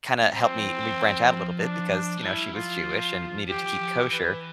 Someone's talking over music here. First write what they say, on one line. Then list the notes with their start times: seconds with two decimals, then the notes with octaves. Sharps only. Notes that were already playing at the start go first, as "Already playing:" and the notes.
kinda helped me me branch out a little bit because, you know, she was Jewish and needed to keep kosher.
0.22 A3
0.33 G3 C4
0.49 F3
0.65 E3
0.80 G3
0.88 F3
0.96 E3
1.04 F3
1.60 D4
2.17 A3
2.23 G3 E4
2.54 F3 F4
3.49 F3 G4
3.66 F3
3.81 F3
3.97 E3
4.13 B4